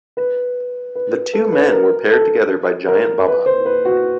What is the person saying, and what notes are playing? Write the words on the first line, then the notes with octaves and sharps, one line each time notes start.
The two men were paired together by Giant Baba.
B4
B4
A4
B4
A#4
A4
A#4
B4
C5
B4
F#4